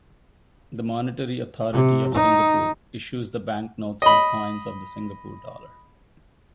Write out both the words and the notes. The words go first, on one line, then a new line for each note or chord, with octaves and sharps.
The Monetary Authority of Singapore issues the banknotes and coins of the Singapore dollar.
C3
D#4
D#5 B5